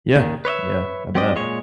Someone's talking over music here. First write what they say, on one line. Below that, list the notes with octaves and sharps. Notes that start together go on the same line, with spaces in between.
Yeah. Yeah. I bet.
D#2 D#3
B4 C#5 D#5 E5
F#3 C4 G4 D5 D#5
A#2 G#3 C#5